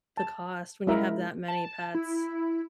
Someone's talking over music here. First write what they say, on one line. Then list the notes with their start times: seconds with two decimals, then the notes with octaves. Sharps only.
the cost when you have that many pets.
0.17 A5
0.87 G#3 C#4 E4 A#4 E5
1.48 A5
1.95 E4